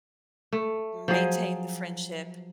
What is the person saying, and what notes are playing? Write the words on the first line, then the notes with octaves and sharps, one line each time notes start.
maintain the friendship,
A3
F3 F#3 G#4